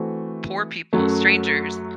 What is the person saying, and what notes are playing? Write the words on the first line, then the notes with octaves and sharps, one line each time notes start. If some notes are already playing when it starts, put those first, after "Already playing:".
poor people, strangers,
Already playing: E3 A3 C4 F#4
F#2 F#3 A3